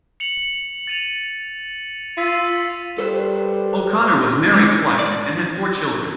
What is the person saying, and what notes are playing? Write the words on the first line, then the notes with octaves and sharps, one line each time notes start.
O'Connor was married twice and had four children.
C#7 F7 F#7
A6 D#7 F7
F4 E6 B6 D#7
G3 A4 B4 C5
G#3
D5